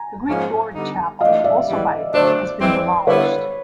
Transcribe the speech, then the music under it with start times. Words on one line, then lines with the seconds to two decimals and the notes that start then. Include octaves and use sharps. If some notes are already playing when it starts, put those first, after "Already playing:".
The Greek Doric chapel, also by Edge, has been demolished.
Already playing: G#5 A#5
0.27 G#2 F3 A#3 C#4
0.75 D3 G3 B3 D#4
1.21 E3 A3 D4 F4 D#5 F5
1.44 D5 E5
1.67 G#2 E3 G3
2.14 D3 F#3 A3 D4 C5 D5
2.61 E3 G#3 C4
3.07 D3 G3 B3 E4 B4 C#5